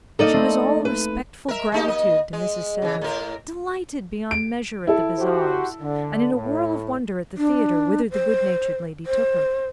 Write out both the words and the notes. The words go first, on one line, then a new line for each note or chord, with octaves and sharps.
She was all respectful gratitude to Mrs. Sedley; delighted beyond measure at the Bazaars; and in a whirl of wonder at the theatre, whither the good-natured lady took her.
A#3 D#4 A4 D5 D#5
A3 C4
B4
A#4 E5
G#3 D#4 G4
A#3 D#5
G#3
C#3 E3
A2 A#4
D7
E4 A4
F#4 G4 C5
D3
A2
D4
C5
C5